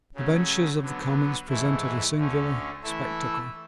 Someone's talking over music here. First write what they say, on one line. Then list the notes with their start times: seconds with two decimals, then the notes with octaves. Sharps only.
The benches of the Commons presented a singular spectacle.
0.15 C#3 F#3 A3 C#4
0.81 D3 F#3 B3
1.49 G#2 E3 A3 E4
2.16 D2 D3 A3 C#4
2.83 E3 A3 E4 A4 E5